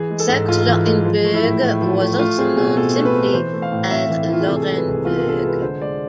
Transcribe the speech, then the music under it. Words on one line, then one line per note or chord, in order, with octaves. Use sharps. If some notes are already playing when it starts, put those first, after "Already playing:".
Saxe-Lauenburg was also known simply as Lauenburg.
Already playing: E3 G#4
G#3
A4
G#2
G#2 F4
E3
G#3
F3
A3
E4
A2
A2
F3
A3
A3 F4
C4 G#4
B2 G#4
B2 A4
A3
B4
C4
B4
E3 C5
A3
F5
A2
C4 E5
E3
E4
A3 F4
G#4
C3 A4
G#4
G#3 A4
B4
C2 G#4
B3 F4
F4
C3 A4
G#4
G#3 B4
D3 C5
G#3 D5